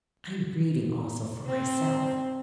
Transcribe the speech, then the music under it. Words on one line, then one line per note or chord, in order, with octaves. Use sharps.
I am grieving also for myself.
C4